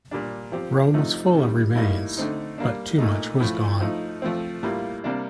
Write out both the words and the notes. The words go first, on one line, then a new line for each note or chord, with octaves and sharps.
Rome was full of remains, but too much was gone.
A#2 G3 D4
F3 C4 G4
C3 F3 A3 D#4
C3 D#3 G3
A2 G3 A#3 D#4
D3 A3 C4 D#4
G3 A#3 D4
A#2 A3 D#4
A2 F3 A3
F3 A3 D#4
F3 A3 C4
A2 G3 A#3 F4
C3 G3 A#3 D4